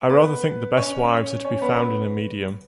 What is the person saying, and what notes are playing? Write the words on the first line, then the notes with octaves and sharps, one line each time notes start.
I rather think the best wives are to be found in a medium.
B3 B4
C#4 C#5
C#4 C#5
B3 B4